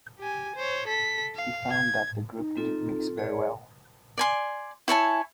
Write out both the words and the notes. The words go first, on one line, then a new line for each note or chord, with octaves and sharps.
He found that the group didn't mix very well.
G4 G#5
C5 C#5
A4 B6
F5
G#6
D#4
C4 F4 A4
G#4 A#4 C#5 D5
D5 G#5 C6
E4 C#5 G#5 A5